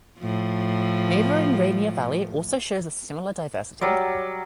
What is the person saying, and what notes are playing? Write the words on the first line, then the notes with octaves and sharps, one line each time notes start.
Neighboring Rainier Valley also shows a similar diversity.
A2 F3
F#3 G3 D5